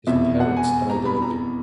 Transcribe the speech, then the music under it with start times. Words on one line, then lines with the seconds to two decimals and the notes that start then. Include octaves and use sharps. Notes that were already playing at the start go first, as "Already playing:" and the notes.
His parents died early.
0.07 F1 E2 B2 E5
0.40 F#5
0.56 G#5
0.90 A#5
1.05 B5
1.22 A#5